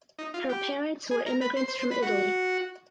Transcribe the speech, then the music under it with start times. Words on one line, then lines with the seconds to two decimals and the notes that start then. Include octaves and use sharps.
Her parents were immigrants from Italy.
0.18 D#4
0.34 F4
0.49 G4
1.11 G#4
1.26 A#4
1.41 B4
1.57 C5
1.68 C5
1.79 C5
1.91 B4
2.02 F#4